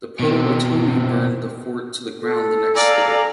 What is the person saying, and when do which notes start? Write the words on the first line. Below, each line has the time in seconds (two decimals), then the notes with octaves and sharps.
The Potawatomi burned the fort to the ground the next day.
0.20 B2 C4
2.21 A4
2.75 D5 F5 G#5 A#5